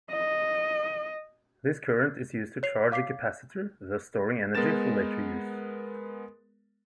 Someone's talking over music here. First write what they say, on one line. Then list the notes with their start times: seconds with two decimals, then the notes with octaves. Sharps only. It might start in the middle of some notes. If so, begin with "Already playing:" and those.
This current is used to charge a capacitor, thus storing energy for later use.
0.11 D#5
2.63 C#5 C7 F7
2.92 F5 D6 B6 C7
4.55 G#3 B3 A#4 A6 E7